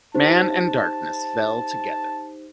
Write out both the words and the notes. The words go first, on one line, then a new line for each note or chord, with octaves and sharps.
Man and darkness fell together.
D#4 G4 C5 A5